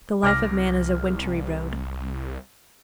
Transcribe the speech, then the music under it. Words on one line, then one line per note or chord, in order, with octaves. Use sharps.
The life of man is a wintry road.
C2 D6 F6 A#6